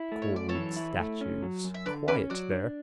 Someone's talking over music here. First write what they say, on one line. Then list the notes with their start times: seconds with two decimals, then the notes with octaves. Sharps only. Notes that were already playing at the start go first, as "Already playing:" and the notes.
Cold statues: quiet there.
Already playing: E4
0.12 A3
0.22 C#5
0.33 F#2 D5
0.49 A4 C#5
0.55 E3
0.76 E4
0.99 A3
1.21 C#4
1.43 F#3
1.64 F#2
1.74 E5
1.86 D3 B4 D5
2.08 C#4 B4 D5
2.30 F#3 D5 F#5
2.52 D4